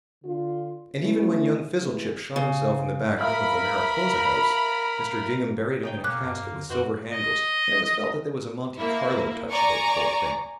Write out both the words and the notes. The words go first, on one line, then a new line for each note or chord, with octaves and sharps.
And even when young Fizzlechip shot himself in the back room of the Mariposa House, Mr. Gingham buried him in a casket with silver handles and it was felt that there was a Monte Carlo touch about the whole thing.
D3 F4
A3 B3 C#4 D#4 E4
E3 G#3 A3 B3
C#3
A#4 E5 F5 B5 F6
C#3 D#4 G#4 G5
B2 A#3 C#4 D6 F#6
F#2
G2
D3
F#2 E3 F#4 C5
D#5
A#3 E4
D5 G#5 A#5 C#6